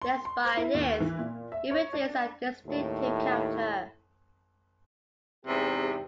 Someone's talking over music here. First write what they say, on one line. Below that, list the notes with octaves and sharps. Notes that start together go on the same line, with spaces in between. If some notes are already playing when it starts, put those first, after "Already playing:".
Despite this, it retains a distinctive character.
C6
C6
C5
E4
D#2
E3
A#2
E5
C#5
D4
D#2 A2
E2 G#2 C3 G4